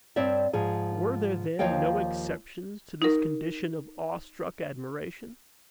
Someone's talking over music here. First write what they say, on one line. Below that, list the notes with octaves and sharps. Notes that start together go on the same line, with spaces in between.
Were there, then, no exceptions to this condition of awestruck admiration?
G2 C4 C#5 D5 E5
G#2 F3 G#4
D#2 F3 C#5 D#5 F5 G5
D#4 A#4